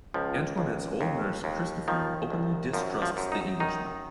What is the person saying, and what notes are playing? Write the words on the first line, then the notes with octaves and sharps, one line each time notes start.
Antoinette's old nurse Christophine openly distrusts the Englishman.
C#2 F3
C#2
D#2
D#2
D#3 F3
C2
F#2 F3
F3
F#2
D#4
D#3 D#4